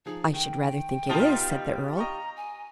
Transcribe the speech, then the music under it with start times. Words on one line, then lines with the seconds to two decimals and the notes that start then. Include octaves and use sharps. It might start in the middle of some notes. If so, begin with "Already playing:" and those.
"I should rather think it is," said the earl.
0.06 F3 D#4 G#4
0.34 D#3 G5
1.09 B2 G3 D#4 F4 A5 D#6
1.97 D#5 G5 A#5 C#6
2.36 G#5